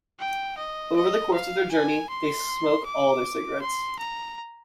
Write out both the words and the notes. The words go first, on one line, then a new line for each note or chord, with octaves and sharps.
Over the course of their journey, they smoke all their cigarettes.
G5
D#5
D#5
F5
G#5
C6
D6
C6
A#5